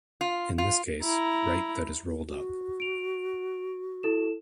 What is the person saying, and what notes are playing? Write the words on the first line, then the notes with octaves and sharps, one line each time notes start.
In this case, write that is "rolled up".
F4
F4
E4 A#5
F#4
D7 F7
E4 A4 E7